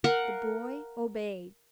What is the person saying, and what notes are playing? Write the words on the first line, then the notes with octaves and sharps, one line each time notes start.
The boy obeyed.
A#4 F5 F#5